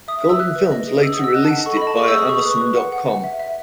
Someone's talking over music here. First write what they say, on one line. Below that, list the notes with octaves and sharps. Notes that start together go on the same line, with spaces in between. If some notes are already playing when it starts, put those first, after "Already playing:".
Golden Films later released it via Amazon dot com.
E5 D#6
D#6
E5
E6
E5 F#6
B4
D#5
G#4
G#4 E6
D#6
F#5
E6
D#5 F#6
A5
F#5
A5
A4 C#6
B5
D#5
A5
G#4 C#6
E6
G#4
D#6
G#4 C#6
D#6
B4 C#6
B4
F#5
F#5
F#5
E5
E5